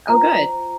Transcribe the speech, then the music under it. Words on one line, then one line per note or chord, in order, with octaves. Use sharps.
Oh, good.
F4 C5 A#5